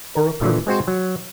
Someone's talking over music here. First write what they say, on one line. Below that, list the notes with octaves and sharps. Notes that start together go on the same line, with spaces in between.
For a purpose.
A#4
A#2 D3 E3
G#3 C4 F#4 C5
F#3